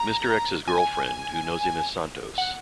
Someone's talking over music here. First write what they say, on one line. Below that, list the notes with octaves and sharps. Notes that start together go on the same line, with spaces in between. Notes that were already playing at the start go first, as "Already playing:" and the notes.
Mister X's girlfriend, who knows him as "Santos".
Already playing: A#5
G#5
F#5